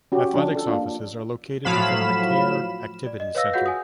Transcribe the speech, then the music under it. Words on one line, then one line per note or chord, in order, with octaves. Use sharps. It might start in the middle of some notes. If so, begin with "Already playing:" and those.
Athletics offices are located within the Kerr Activities Center.
C#4 F#4 G4
F3 C#4 D4
A4
A#3 D4 F4
A2 F3 F#3 F5 B5 E7
D5
D#5
B4 C#5 D#5 F5 E6 A#6
F4 F#4 G#4 F5 F#5 G6
G#5 D#6